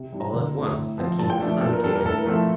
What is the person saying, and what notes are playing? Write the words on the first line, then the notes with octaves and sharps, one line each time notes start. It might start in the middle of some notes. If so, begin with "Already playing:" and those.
All at once the King's son came in.
Already playing: C3
G3 D4
A#5
D3
A3 C4
A2
F3 C4
A#2 A5
G5
F3 A3 D4 A4
A#2 A4
A#4
G3 A#3 D4 A4
A#4
A2 A4
A#4
F3 A3 C4 A4